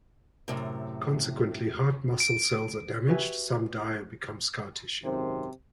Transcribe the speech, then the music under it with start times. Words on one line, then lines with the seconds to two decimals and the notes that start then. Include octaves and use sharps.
Consequently, heart muscle cells are damaged; some die or become scar tissue.
0.48 F#2 A2 C3
2.20 D7
3.07 F#4 G4 B4 E5 G#5
5.04 G#1 F#2 C3 D#3 C5